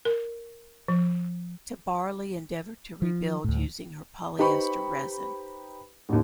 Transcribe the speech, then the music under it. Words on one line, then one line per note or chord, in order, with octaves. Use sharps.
Tabarly endeavoured to rebuild her using polyester resin.
A#4
F3
F3
D2 A2
D#4 G4 B4 C5 B5 C#6
A1 D#2